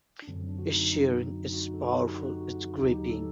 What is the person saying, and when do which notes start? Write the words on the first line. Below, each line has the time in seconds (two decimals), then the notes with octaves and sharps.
It's searing, it's powerful, it's gripping.
0.22 D4
0.28 F#2 D3 F#3 C4
0.48 D4
0.59 F#4
0.69 D#4
1.44 D#4
1.53 F#4
1.74 A4
1.91 F#4
1.95 G4
2.06 D#4
2.15 F#4
2.78 D#2 D3 F#3 D#4
2.94 G4
3.10 A4